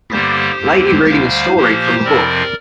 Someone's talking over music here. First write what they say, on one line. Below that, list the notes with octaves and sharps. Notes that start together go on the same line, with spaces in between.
Lady reading a story from a book.
G2 D3 G3 A#3 G4 C5
F2 D3 A#3
D2 D3 G3 C5 F5
A#2 F3 A#3 G4 C5
F2 C3 F3 C4 A#4 D5